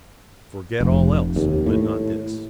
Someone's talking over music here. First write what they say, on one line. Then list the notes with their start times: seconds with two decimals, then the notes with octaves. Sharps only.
Forget all else, but not this.
0.81 F1
1.36 D#2
1.66 A2